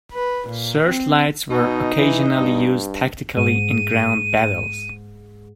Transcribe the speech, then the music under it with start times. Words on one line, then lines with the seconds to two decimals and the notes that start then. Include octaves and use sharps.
Searchlights were occasionally used tactically in ground battles.
0.13 B4
0.48 A#2
0.85 C4
1.51 B2 D#4
1.98 E3
2.37 G2
3.37 G#2 D#7